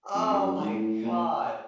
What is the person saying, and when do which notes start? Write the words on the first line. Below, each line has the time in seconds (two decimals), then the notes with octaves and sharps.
Oh, my god,
0.14 F2
0.29 F#2
0.44 F#2
0.58 G#2
0.73 A2
1.02 A#2